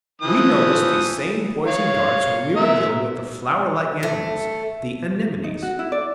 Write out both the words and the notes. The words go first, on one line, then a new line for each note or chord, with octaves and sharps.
We noticed these same poison darts when we were dealing with the flower-like animals, the Anemones.
E3 F3 D#6
C#5 F5
A#4 E5
A3
D#4
F#4
E4
D5